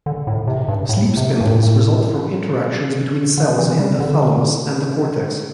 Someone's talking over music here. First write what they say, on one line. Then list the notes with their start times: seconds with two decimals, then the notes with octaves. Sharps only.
Sleep spindles result from interactions between cells in the thalamus and the cortex.
0.06 D3
0.27 A2
0.47 C3
0.68 G2
0.89 A2
1.17 C3
1.41 G2
1.45 A2
3.38 D3
3.59 E3
3.79 G3
4.00 D3